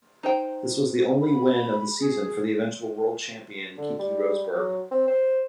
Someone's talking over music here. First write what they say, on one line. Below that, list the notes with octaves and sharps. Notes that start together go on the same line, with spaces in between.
This was the only win of the season for eventual World Champion Keke Rosberg.
D#4 C5 G5
B5
G#4
D3
G3
F#3
C4
C5